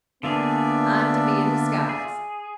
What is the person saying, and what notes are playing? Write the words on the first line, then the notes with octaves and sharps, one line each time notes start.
I'm to be in disguise.
D3 A#3 B3 D4 F4 G#4 D5 E5
G#4